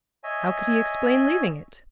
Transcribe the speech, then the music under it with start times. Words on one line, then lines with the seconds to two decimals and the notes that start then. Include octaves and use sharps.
How could he explain leaving it?
0.24 C#5 D#5 E5 G#5